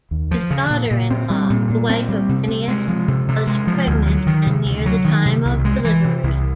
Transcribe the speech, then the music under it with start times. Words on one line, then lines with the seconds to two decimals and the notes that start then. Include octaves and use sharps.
His daughter-in-law, the wife of Phinehas, was pregnant and near the time of delivery.
0.11 D#2
0.31 F3
0.51 C#3
0.70 A#2
0.91 A#2
1.11 C4
1.30 G3
1.50 A#2
1.70 A#2
1.89 C4
2.09 G3
2.29 C3
2.48 C3
2.68 G#3
2.88 F3
3.08 C3
3.28 C3
3.47 G#3
3.67 F3
3.87 D2
4.07 F#3
4.27 D#3
4.46 C3
4.66 D2
4.86 F#3
5.05 D#3
5.26 C3
5.45 C2
5.65 G#3
5.85 E3
6.05 C3
6.23 C2